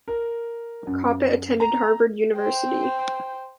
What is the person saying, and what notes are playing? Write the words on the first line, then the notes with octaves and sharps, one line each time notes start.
Kopit attended Harvard University.
A#4
F#2
A#5
C5 G5